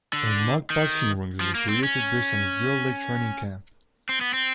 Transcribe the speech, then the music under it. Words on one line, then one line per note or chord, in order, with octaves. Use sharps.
A mock boxing ring is recreated based on his Deer Lake Training Camp.
D3
D#3
F3
A#3
C4
C#4
C4
B3
C4